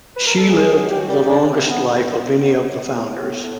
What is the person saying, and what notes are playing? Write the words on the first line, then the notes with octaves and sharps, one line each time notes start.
She lived the longest life of any of the founders.
B4
A#4
A4
F#3 G#3 G#4
F#3
G4
A2 F#4
G3 G4
A2 D3 D4
C3 C4
A2
B3
A2
C3 C4
A2 B3
F#3
A2
A2
A2
A2